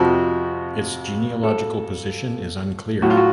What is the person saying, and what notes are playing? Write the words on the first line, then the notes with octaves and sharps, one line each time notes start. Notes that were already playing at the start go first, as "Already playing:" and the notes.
Its genealogical position is unclear.
Already playing: F2 C3 F3 F#4
A4
A2 F#3 F#4
F4
F#4